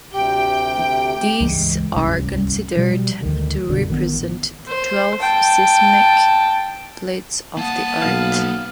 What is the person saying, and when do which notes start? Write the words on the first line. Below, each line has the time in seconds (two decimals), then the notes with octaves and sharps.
These are considered to represent the twelve seismic plates of the Earth.
0.14 D2 C3 G4 G5
1.40 C#2 G2 E3 G#3
1.94 D1 C2 G2 C#4
2.77 B2 F3 G3
3.22 D2 D3 D#3
3.69 A#1 F#2 B2 D3
3.89 A1 D#3 G3 B3
4.68 C5
5.20 G5 A5
7.57 A#3 F#5 A5 D#6
8.02 B1 F5